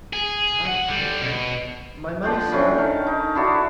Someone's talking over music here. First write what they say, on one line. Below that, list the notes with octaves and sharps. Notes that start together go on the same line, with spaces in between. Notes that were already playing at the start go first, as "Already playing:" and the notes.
The child began again, "My money, sir."
G#4
F#4 F#5
D3 G3
B2
D3 F3 D5 G5
D3 E3 C#4
D#3 F5 A5
D#4
D4 E4 F#4 A4